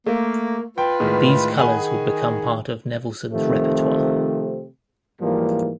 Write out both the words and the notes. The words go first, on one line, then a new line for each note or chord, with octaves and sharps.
These colors would become part of Nevelson's repertoire.
A3 A#3
F4 B4 G5
A2 D#3 G#3
D#3 G#4 F#5 G#5 B5
C3 D#3 F3 A3 C4
G#2 E3 F3 G3 A#3